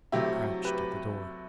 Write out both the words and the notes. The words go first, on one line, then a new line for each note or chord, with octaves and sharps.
Crouched at the door.
C3 F#3 A3 E4 G4
G4 B4